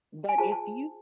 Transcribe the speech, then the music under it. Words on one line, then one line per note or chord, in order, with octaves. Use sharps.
but if you
G#5
F4 G#4 C5 A5
A5